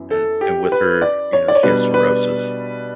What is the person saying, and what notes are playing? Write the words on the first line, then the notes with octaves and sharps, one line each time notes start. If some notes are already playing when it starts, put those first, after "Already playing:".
and and with her you know, she has cirrhosis,
Already playing: F#2 E3 B3
A4
G4
B4
D5
C#5
D5
C#5
B2 G3 D4 B4
B4